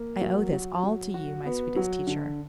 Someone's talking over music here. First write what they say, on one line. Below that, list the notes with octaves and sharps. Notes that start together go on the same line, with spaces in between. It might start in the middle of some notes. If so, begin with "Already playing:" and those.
I owe this all to you, my sweetest teacher.
Already playing: A#3
F#3
F#3
F#3
F#4
B3
F#3
D3